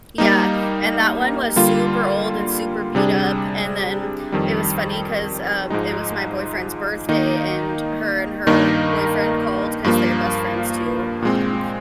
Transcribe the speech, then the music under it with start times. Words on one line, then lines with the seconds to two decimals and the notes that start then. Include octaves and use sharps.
Yeah, and that one was super old and super beat up, and then it was funny 'cause, um, it was my boyfriend's birthday, and her and her boyfriend called 'cause they're best friends, too, um,
0.18 G3 A#3 D#4
1.56 D3 G3 A#3 F4
2.95 C3 G3 D4 G#4
4.32 F2 D#3 G3
5.70 G#2 F3 G#3 D#4
7.09 D#3 A#3 D#4
8.47 G2 D#3 A#3 D#4 A#4
9.84 G2 F3 A#3
11.22 A#2 G#3 C4